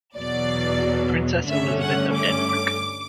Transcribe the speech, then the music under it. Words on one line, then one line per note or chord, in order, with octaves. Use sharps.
Princess Elisabeth of Denmark.
E2 B2 F#3 D5
G2 D3 A3 C#4 E5
F#5
D6